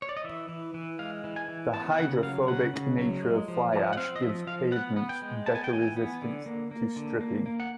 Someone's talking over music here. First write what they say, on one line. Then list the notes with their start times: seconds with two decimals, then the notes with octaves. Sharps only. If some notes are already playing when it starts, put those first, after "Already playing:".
The hydrophobic nature of fly ash gives pavements better resistance to stripping.
0.02 C#5
0.09 D5
0.17 D#5
0.24 E3 E5
0.49 E3
0.74 E3
0.99 G#3 F5
1.24 E3
1.36 G#5
1.48 E3
1.73 B3 A5
1.98 C#3 F#5
2.23 F#3 F5
2.48 C#3 F#5
2.74 C#3
2.98 F#3
3.22 G#3
3.48 F3
3.73 F3
3.93 F#5
3.97 C4 F5
4.16 D#5
4.22 F3 E5
4.47 F3 F5
4.72 B3 F#5
4.96 B3
5.09 G5
5.22 G#3
5.46 B3 A5
5.55 G#5
5.64 G5
5.72 E3 G#5
5.96 B3
6.22 D3
6.46 A#3
6.71 A#3
6.96 D3
7.21 A#3
7.46 A#3
7.60 F#5